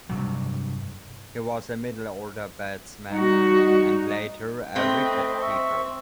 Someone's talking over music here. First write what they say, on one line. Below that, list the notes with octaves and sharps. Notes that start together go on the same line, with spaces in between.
He was a middle-order batsman, and later a wicket-keeper.
G2 C3 F#3
G3 D#4 F#4
A3 C4 B4 D#5
E5 C#6